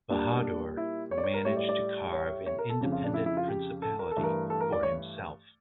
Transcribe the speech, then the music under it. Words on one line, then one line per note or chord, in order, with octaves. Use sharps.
Bahadur managed to carve an independent principality for himself.
A#2 G3 D4
E4
C#5
D5
C#5
A#4
A2 G3 C#5
D5
D5
C#5
C#5
A#4
A4
F2 C#3 F3
F4
D4
E4
E4
F4
G4
A4
A#4
A4
G2 E3 A3
A#4
A4
A#4
D5
C#5